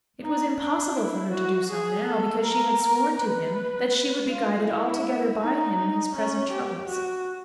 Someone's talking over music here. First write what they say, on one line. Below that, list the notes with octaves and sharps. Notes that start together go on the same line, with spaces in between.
It was impossible for her to do so now, because she had sworn to him that she would be guided altogether by him in his present troubles.
D#4
D4
E4
F#4
G#4
A4
A#4
A#4
B4
F4
E4
D#4
D#4
C#4
G4
F#4